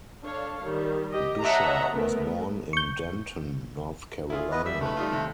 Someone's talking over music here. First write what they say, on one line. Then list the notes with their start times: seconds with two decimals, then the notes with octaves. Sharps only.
Bisher was born in Denton, North Carolina.
0.23 D4 A4 C#5 F5
0.64 D#3 G3
1.10 G4 D#5
1.42 C#5 D#5 E5 F#5 A5 A#5
1.92 A3 B3 A#4
2.73 C#6 G6
4.30 E4 F4 G#4
4.52 B3 B4 D#5
4.66 G3 E5 E6
4.81 C#3 A3 B4
4.97 G3 D#4 F4
5.12 D#2 C3